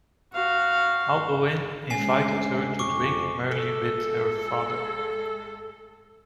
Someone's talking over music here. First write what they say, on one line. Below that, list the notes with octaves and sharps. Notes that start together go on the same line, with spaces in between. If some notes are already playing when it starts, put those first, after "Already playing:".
Alboin "invited her to drink merrily with her father".
F#4 F5
D2 C#3 G#3 C#4 G#5 C7
F2 C#6 D6
G#3 A3 A4